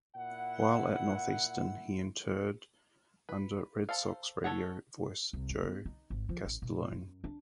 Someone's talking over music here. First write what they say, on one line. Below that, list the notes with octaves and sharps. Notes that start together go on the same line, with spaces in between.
While at Northeastern, he interned under Red Sox radio voice Joe Castiglione.
A#2 E4 F#5
B4
A4 C5 F5
A4 C#5 F#5
C2
G#3
B3
D#4
G#1
F3
A1
A#2
F#2
D4